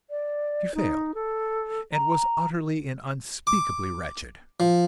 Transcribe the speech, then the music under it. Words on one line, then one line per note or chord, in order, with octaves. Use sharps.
She failed, and was utterly and unspeakably wretched.
D5
D#4
A4
A#5
D6
F3